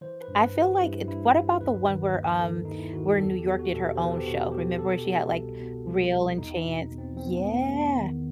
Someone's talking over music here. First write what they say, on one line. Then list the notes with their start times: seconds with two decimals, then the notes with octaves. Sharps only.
I feel like it what about the one where, um, where in New York did her own show, remember she had, like, Real and Chance yeah.
0.01 E3 C5
0.21 B4
0.28 G2
0.41 B4
0.55 E3
0.61 G4
0.81 G2 E4
1.08 G2 E4
1.34 G2 E4
1.61 D#2 B4
1.87 D#3
2.14 D#2
2.40 D#3 A4
2.65 D#2 D#4
2.79 E4
2.93 D#3 F#4
3.06 G4
3.19 E2 A4
3.39 G4
3.46 E2
3.59 F#4
3.72 B2 A4
3.80 G4
3.96 C5
4.00 E2 B4
4.10 A4
4.18 G4
4.26 B2 F#4
4.52 B2 G4
4.79 B2 A4
4.99 G4
5.06 B2
5.32 C2
5.59 B2
5.85 C2
6.11 C2
6.38 E2 D#4
6.64 B2
6.91 E2
6.98 C4
7.17 E2 C4
7.26 B3
7.36 A3
7.44 E2 B3
7.70 E2
7.97 D#3